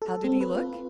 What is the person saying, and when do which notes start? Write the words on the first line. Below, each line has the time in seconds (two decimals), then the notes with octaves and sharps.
How did he look?
0.02 A4
0.24 C4
0.41 B4
0.55 F4